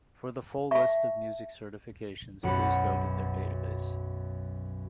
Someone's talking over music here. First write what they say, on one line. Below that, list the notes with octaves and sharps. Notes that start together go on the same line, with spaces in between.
For the full list of music certifications, please go to their database.
E5 A5 C#6
B1 F#2 F#4 B5 C#7